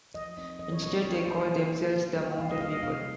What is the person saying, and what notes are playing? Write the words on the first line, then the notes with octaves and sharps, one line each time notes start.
Instead, they called themselves The Mountain People.
F3 D#5
C4 D#4 D#5
F3 D#5
C#5
C4 D#4 D#5
C#3 C#5
C5
F3 A#3 C5
C5
C#3
F3 A#3
C#3
G3 A#3 F4
C#3 F5
D#5
G3 A#3 F4 F5
D#5
C3 F5